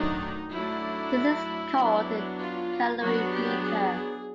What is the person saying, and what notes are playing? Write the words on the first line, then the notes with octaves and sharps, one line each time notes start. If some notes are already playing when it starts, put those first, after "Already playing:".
This is called a calorimeter.
Already playing: D#3 F#3 A3 D4 D#4
F#3 A3 D4 E4
F#3 B3 D4
F4
F#3 B3 D4 F#4
G4
G#4